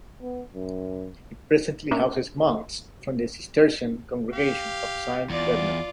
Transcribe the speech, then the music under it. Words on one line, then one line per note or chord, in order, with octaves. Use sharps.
It presently houses monks from the cistercian congregation of St Bernard.
B3
F#2
A#3 C#4 D4 A#4 E5 F#5
G4 F5
E2 F4 D5